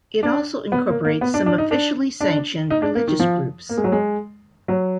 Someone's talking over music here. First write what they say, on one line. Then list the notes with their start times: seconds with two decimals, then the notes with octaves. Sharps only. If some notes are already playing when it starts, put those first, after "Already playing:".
It also incorporates some officially sanctioned religious groups.
0.23 D4
0.72 B3
0.89 A#3
1.05 A#3
1.21 B3
1.34 D4
1.46 D4
1.58 D#4
1.71 D4
2.21 D4
2.70 D#4
2.82 D4
2.95 A#3
3.08 D#3
3.20 F3
3.69 A#3
3.77 G#3
3.84 F#3
3.92 G#3
4.68 F#3